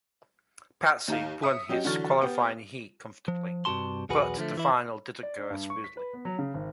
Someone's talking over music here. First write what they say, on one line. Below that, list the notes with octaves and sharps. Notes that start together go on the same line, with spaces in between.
Patsy won his qualifying heat comfortably, but the final didn't go as smoothly.
D#2 D#4 F5
E5 D#6 C#7
F#3 C#4 G4 D#5
D3 E3 F#3 C#6 F6 A6
B3 G4
F3
G2 C3 F3 F#4 A5 C6
B1 E2 F#4 G#4 B4
D3 F3 G#3 A3
E3 E4
D5
D4
G2
C#6
B6
B4
B3
F#3
C#3
G#1